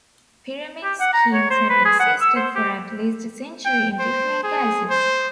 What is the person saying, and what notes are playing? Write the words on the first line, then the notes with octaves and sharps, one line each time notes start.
Pyramid schemes have existed for at least a century in different guises.
G4
F#5
A#5
C#5
C5
B4
G#4
F#5
E6
C5
G4
G5
C5
G#4
C5